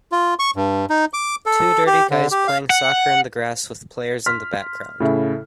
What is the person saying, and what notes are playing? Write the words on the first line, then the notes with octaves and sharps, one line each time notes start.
Two dirty guys playing soccer in the grass with players in the background.
F4
C#6
G2
D#4
D6
A4
G4
D3
G4
F5
F#5
C6 F6 B6
A2 C#3 E4 A4 E5